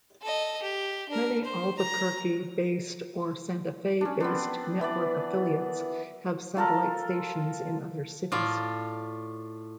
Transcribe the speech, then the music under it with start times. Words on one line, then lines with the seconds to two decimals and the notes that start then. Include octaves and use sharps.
Many Albuquerque-based or Santa Fe-based network affiliates have satellite stations in other cities.
0.22 A4 D#5
0.62 G4
1.09 D4 A#4
1.44 C5
1.78 A#5
4.01 C#4 D4
4.20 B3 C4 D4
4.81 E3 B3 D5
6.57 F4 A4 A#4
8.32 A2 F4 D5